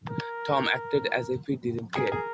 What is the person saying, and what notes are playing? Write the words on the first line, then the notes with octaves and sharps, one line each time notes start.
Tom acted as if he didn't care.
A#4
G#4 A#4
G#4